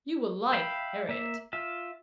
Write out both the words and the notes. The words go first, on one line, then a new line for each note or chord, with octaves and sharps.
You will like Harriet.
E5 F5 G5 B5
A#3 E5
F4 E5